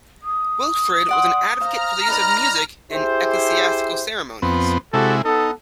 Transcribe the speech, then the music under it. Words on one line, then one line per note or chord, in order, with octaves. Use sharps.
Wilfrid was an advocate for the use of music in ecclesiastical ceremonies.
D#6
D5 F#5 C6
C5 F5 A#5 F6
D#4 B4 D5
E4 G4 G#4 C5
F2 B3 C4
C3 G#3 E4 F#4 G4 A4
B3 D#4 A4